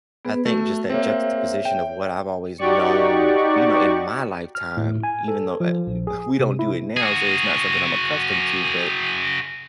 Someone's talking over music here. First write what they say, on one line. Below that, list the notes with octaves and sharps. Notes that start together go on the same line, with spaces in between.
I think just that juxtaposition of what I've always known, you know, in my lifetime, even though, uh, u we don't do it now, so it's not something I'm accustomed to, but,
B3 G#4 B4
A3 F#4
A#3 C4 G#4 C#5 E5
G5
D#4 F#4 G4 D5 C#6
F6
A2
G#5
A4
F3
A#1
G#4
C3
E4
F#4 G#4